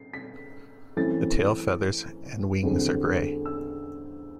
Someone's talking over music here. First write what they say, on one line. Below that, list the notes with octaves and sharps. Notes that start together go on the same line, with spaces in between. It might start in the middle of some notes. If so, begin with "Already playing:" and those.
The tail feathers and wings are gray.
Already playing: C7
B6
F#2 E3 A3 C4 A6
E2 D3 G3 C4
E6